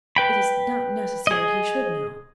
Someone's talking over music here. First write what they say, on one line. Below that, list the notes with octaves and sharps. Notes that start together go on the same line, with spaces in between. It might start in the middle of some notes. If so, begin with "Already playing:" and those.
It is not necessary he should know.
B4 G5 B5
G#4 D#5